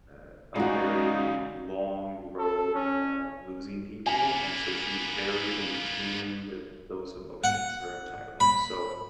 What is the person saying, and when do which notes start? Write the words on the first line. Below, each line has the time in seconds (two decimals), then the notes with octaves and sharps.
a a very long road of losing people, and so she's very in tune with those emotions her entire life, so
0.56 G#3 C#4 D#4 F#4 D5 F5
2.39 A4
2.74 C#4
4.06 A#3 B3 G#5
7.44 F#5
8.40 B5